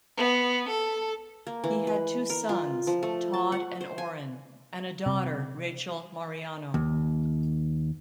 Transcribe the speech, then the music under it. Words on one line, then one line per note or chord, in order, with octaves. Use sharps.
He had by two sons, Todd and Orrin, and a daughter, Rachel Marianno.
B3
A4
A#3
E3
B4
A#4
F4
F3
A3
A5
F#5
C5
G#5
C3
D#2